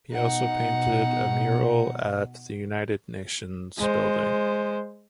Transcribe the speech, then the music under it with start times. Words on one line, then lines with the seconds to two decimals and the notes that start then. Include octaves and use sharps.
He also painted a mural at the United Nations building.
0.12 B2 D#4 F#5
3.79 G#3 C5